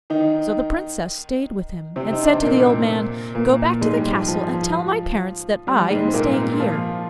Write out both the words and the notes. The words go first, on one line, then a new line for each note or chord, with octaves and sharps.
So the Princess stayed with him, and said to the old man, 'Go back to the castle and tell my parents that I am staying here.'
D#3 D#4
C3 C4
D#4
D4
C4
A#2 A#3
A#2 A#3
G#2 G#3
G3
F3
F3
F3
G3
G#2 G#3
C4
A#2 A#3
F3 F4